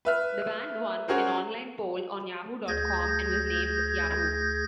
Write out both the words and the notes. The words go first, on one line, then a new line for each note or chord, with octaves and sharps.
The band won an online poll on Yahoo dot com and was named Yahoo!
B4 E5 F6
C#4 F#4 G#4 A#4 C5
D2 G#4 G6 G#6 A#6